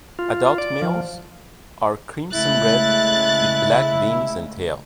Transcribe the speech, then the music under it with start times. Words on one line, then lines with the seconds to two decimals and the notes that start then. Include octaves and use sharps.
Adult males are crimson-red with black wings and tail.
0.19 F4
0.58 D5
0.82 F3
2.34 C#3 G#3 A3 E4 F#6 A6